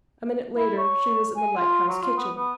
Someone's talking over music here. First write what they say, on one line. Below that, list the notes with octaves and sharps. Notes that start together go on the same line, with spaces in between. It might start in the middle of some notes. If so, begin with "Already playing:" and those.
A minute later she was in the lighthouse kitchen.
E4
C#5
G#5
F4
F#3
F4
B3
B3